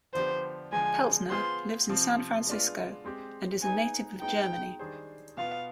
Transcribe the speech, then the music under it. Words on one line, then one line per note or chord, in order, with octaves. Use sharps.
Peltner lives in San Francisco and is a native of Germany.
D3 F3 B3 D4 G4 C5
D3 F3 G#3 G#5
B3 F4 G#4 C5 C6
C3 F3 C4
G#3 B3 D4 F4
G#3 C4 G4
B3 D#4 G#4 G#5
G#3 B3 D#4 G5
D#3 G3 D4 G#4 C5
B2 B3 F4 F5